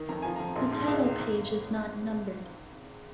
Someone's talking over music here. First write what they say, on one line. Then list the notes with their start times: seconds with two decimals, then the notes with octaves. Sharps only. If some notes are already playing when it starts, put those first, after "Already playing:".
The title page is not numbered.
Already playing: D#3
0.09 F2 A#5
0.22 F3 G#5
0.36 A#5
0.40 F2
0.55 A#1 C6
0.71 G#2 C6
0.87 C#2
1.03 C3
1.19 G#1